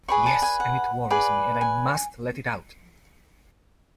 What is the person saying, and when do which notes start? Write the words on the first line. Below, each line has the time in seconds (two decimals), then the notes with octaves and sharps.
Yes, and it worries me, and I must let it out!
0.08 G#4 B4 D5 C#6
0.26 A5
0.42 G#5
0.60 F#5
1.10 G#4 B4 D5
1.61 G#5